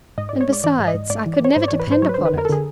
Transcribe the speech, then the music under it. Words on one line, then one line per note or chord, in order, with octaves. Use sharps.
And besides, I could never depend upon it.'
G#2 D#5
G#2 D5
C#5
G#2 D5
E3 D5
G#2
D#5
G#2
G#2 D5
E3
D5
E3 C#5
G#2 C5
D5
E3 C#5
B4
G#2 C5
F#3 C#5
B4
D3 C5
B4
F2 A#4
A4
D3 G#4